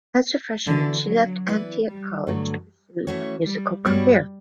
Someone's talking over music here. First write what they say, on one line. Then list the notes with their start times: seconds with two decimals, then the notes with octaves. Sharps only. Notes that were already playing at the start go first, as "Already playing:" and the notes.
As a freshman, she left Antioch College to pursue a musical career.
0.67 D3 E3 B3 F#4 A4 D5
1.08 F#3
1.48 E3 B3 E4 B4 D5
1.88 G3
2.27 G2 D3 F#3 A3
3.07 E3 A3 C#4 F#4 C#5
3.46 G3
3.85 G2 F#3 G3 B3 F#4 C#5